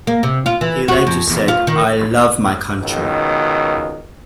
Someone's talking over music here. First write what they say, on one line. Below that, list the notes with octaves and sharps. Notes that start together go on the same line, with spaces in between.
He later said, I love my country.
A#3
C3
F4
E3
F#4
F2
E2
F4
D#3
C#2 B2 D#3